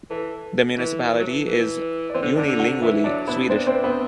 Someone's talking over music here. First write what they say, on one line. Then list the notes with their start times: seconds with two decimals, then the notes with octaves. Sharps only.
The municipality is unilingually Swedish.
0.10 E3 A4
0.78 E3
1.12 E3
1.20 F#3
1.27 E3
1.46 E3
2.10 D5
2.14 E3 C4 C5
2.22 D3
2.36 D3 D4 D5
2.48 D3
2.59 F#4 F#5
2.82 E3 E4 E5
3.04 F#3 D4 D5
3.27 B3 E4 B4
3.50 C4 D4 C5
3.67 C4 C5
3.84 B3 C4 B4